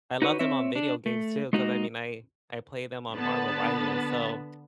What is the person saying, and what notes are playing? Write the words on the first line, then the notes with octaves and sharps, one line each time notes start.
I love them on video games too, 'cause I mean, I I play them on Marvel Rivals, so,
D#4 F#4 B4 C#5
C4 C#5 E5
D4
A3
G#3 A#3 D#4 F#4
D3 B3 B4 A5 B5 A6